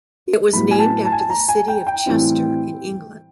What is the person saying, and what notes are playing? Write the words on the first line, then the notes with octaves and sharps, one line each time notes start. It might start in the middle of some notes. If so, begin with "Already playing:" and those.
It was named after the City of Chester in England.
A2 F#3 B3 E4 B5
G#5
A5
A5
G#5
A5
A#5
G#5
G5
G5
A2 E3 G3 C4 E4